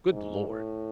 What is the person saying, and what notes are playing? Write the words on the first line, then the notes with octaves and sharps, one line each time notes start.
Good Lord!
G#2
A2